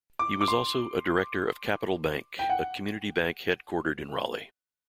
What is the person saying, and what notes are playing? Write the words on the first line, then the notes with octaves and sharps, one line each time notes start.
He was also a director of Capital Bank, a community bank headquartered in Raleigh.
D6
D6
C6
G5
F#5